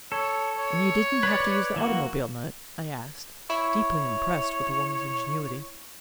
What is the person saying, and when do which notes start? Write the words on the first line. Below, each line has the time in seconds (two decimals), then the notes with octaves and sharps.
"And you didn't have to use the automobile nut?" I asked, deeply impressed with the woman's ingenuity.
0.12 A4 C#5
0.59 C#5
1.23 B4 D5
1.76 E3 A#3 F#4
3.50 E4 C#5